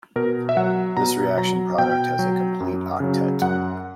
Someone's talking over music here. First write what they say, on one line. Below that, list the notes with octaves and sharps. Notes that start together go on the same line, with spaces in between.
This reaction product has a complete octet.
B2 A#4
E5
F#3 F#5
B2 A#5
F#3 A#5
B2 G5
F#3
F#2
C#3 F#3
F#2 F#5